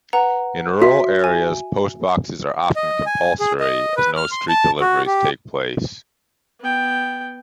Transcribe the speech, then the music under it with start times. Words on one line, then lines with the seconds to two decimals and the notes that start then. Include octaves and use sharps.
In rural areas Post Boxes are often compulsory as no street deliveries take place.
0.13 B4 F#5 A#5
0.82 F#4 E5 B6
1.24 G#5
2.76 D#5
3.06 G#5
3.40 G#4
3.60 D#5
3.97 B4
4.17 F6
4.31 C6
4.49 A5
4.80 F#4
5.06 G4
6.60 B3 G5